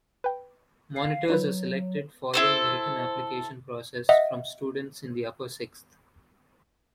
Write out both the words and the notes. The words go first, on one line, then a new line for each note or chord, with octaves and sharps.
Monitors are selected, following a written application process, from students in the Upper Sixth.
B4 G5
F5
F#3 D#4 F4 B4
E4 A4 C5
D#5 E5 F#5